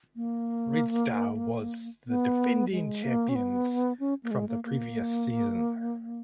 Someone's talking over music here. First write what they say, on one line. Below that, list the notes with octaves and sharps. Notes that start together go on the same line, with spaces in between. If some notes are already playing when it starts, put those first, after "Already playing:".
Red Star was the defending champions from the previous season.
A#3
B3
G#3
A#3
C#4
B3
C#4
A#3
G#3
A#3
A#3